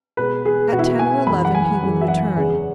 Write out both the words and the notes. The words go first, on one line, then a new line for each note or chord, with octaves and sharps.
At ten or eleven he would return.
B2 G#3 B4
G#4
B2 G#3 F#4
E4
F#4
G#5
F#2 E3 G#3 B5
F#5
G#5
F#2 E3 G#3
E5
F#5
E2 C#3 G#3